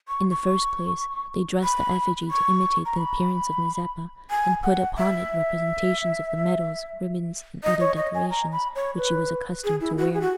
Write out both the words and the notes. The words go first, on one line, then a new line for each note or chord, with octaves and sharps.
In the first place, they dressed the effigy to imitate the appearance of Mazeppa, and put upon it representations of the medals, ribbons, and other decorations which he was accustomed to wear.
C#6
C#6
B5
C#6
A#5
B5
G#5
F#5
E5
D#5
C#5
D#5
G#5
A#5
B5
C#5
B4
G#4
E4
F#4
G#4
F#4